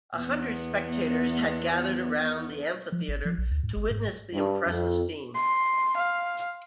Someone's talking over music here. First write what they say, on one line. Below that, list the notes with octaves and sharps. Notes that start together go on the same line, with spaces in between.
A hundred spectators had gathered around the amphitheater to witness the impressive scene.
E2 B3
F3
G#1
F3
A#1
D2
G#2
G#1
G#2
G2
F2
C6
F5